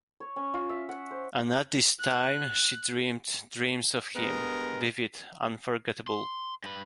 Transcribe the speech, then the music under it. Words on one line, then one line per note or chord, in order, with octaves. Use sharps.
And at this time she dreamed dreams of him, vivid, unforgettable.
C#5
C#4
F4
E5
F#5
C5
F#6
G2 G#3 B3 A#4
C6
G2 B4